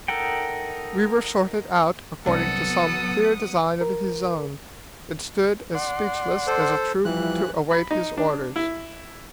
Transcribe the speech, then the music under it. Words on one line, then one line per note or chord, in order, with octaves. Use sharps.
We were sorted out according to some clear design of his own, and stood as speechless as a troop to await his orders.
D#4 A4 A#4 F#5 G5
C2 F#3 B3 D4 A4 F#5 D#6
A#4
D5 F#5 C6
A4 C5
E3 F3 G3 E4 F#6
B5
D#4
D4
E4